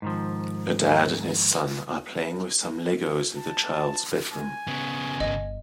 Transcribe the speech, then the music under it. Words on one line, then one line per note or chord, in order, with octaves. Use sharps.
A dad and his son are playing with some Legos in the child 's bedroom.
G#2 D#3 F3
A5
G#5
C#3 B3
G1 D#5